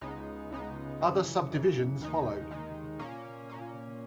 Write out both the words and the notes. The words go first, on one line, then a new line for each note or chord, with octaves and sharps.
Other subdivisions followed.
C#2 C#3 G#3 B3 D#4
C#2 C#3 G#3 B3 D#4
F#2 C#3 E3
F#2 C#3 E3
D#2 D#3 G#3 D#4
D#2 D#3 G#3 D#4
A#2 A#3 C#4
A#2 A#3 C#4